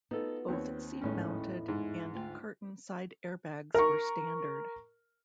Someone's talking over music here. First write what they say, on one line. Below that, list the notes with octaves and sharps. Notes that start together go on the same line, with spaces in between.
Both seat-mounted and curtain side airbags were standard.
B3 D#4 F4 F#4 A4
D#2 C4 C#5
G#1 E2 A2 C#4 D#4
G#2
D2 F4 G5
A#4 C#6